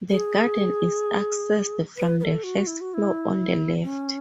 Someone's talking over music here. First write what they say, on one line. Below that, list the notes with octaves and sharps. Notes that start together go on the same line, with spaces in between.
The garden is accessed from the first floor on the left.
G#4
B4
B4
A4
F#4
E4
F#4
E4
C#4